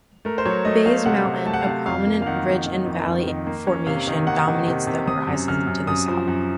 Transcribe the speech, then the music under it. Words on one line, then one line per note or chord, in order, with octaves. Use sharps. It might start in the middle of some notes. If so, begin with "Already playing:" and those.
Bays Mountain, a prominent Ridge-and-Valley formation, dominates the horizon to the south.
A3 A#4
C5
F#3 C#5
A3 D#5
F#3 F5
C3 F#5
C3
A3 A5
F#5
F5
C3 F#5
F2 F5
A#3
F5
D#3 F#5
F2
D#3
F2
F2
D#3
A#3
C#4
C3 F5
D#3
A#3 F#5
D#3
C3
C3
C4 D#6
F#2
F#2 F6
F#2
F#2 D#6
F3
F#2